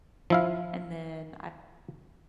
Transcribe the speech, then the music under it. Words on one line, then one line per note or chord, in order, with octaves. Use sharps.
and then I've
F3 E4 F5